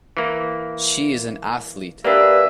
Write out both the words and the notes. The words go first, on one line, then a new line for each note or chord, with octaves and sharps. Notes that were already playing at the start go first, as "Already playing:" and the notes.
She is an Athlete.
E3 A#3
G3 A#3 D4 B4 E5